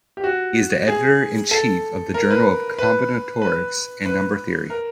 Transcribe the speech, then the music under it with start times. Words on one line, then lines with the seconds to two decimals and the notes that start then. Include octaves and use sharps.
He is the Editor-in-Chief of the Journal of Combinatorics and Number Theory.
0.17 G4
0.24 F#4
0.88 G#4
1.51 A4
2.14 A#4
2.30 B4
2.79 B4
3.42 B4
4.06 B4
4.70 A#4